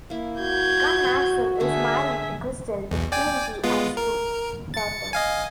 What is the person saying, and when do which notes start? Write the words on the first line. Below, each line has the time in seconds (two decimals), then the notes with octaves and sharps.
Gunnarsson is married to Christel with whom he has two daughters.
0.10 A#3 E4
0.40 F#4 G6 G#6
1.60 D3 A3 G#4 E5 F#5
2.91 B1 E2
3.12 D5 G5 G#5
3.64 G#3 B3 F4
3.97 A#4
4.74 A6 C#7
5.13 D#5 F5 G#5